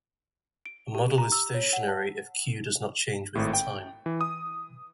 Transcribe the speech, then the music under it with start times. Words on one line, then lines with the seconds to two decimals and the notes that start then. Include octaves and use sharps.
A model is stationary if "Q" does not change with time.
0.66 D7
0.95 G4
1.18 A#5
1.32 E6
1.54 C#5
1.73 F#5
1.88 A5
3.35 G#1 A2
3.53 G5
4.06 E3
4.21 D#6